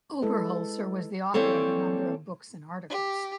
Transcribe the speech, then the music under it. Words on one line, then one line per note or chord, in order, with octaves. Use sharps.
Oberholser was the author of a number of books and articles.
G#3 E4 A4 B4 D#5
E3 G3 A#3 C4 A4 C#5
G4